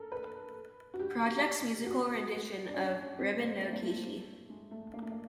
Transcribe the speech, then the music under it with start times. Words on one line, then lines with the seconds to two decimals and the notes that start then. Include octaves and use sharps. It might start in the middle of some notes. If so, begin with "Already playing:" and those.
Project's musical rendition of "Ribbon no Kishi".
Already playing: A4 A#4
0.12 B4
0.94 F#4
0.99 G4
1.86 F#4
2.68 D4
2.74 C#4
3.19 C4
3.41 A#3
3.62 A3
3.72 A#3
3.83 A3
4.50 G#3
4.71 A3
4.94 A#3
5.02 A3
5.11 A#3